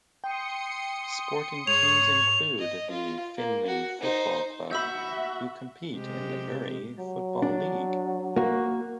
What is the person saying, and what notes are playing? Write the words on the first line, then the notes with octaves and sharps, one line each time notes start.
Sporting teams include the Finley Football Club, who compete in the Murray Football League.
G5 C6 D#6 C#7
G#2 C#5 F7
D#5
F4
A#3
F#4
D#4 C5
F#4 E5 B5 E6 G6
C3 G#3 G4
F#3
D4
A#3 F#4